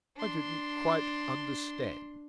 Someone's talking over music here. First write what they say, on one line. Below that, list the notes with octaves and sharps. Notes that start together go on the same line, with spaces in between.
"I didn't quite understand."
D4 C6